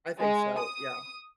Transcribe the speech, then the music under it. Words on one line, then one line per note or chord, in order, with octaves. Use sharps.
I think so, yeah.
G#3
D#6